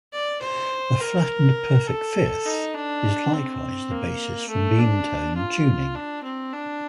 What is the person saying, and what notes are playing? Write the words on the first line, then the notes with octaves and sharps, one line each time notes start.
A flattened perfect fifth is likewise the basis for meantone tuning.
D5
C5
A#4
A4
D#4
D4
C4
A#3
A3
D4
F4
D4
C4
D4